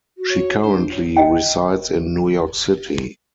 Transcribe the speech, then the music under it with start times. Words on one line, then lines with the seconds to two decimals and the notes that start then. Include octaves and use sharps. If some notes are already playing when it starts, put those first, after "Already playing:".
She currently resides in New York City.
0.18 F#4
0.30 C#5
0.63 D4 C5
0.90 F4 G4 C#5
1.17 D#5 G5